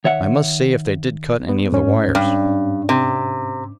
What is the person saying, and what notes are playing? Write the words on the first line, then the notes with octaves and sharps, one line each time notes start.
"I must see if they did cut any of the wires."
D#3 C#5 E5 F#5
B3
G#2 C#4
G2
C3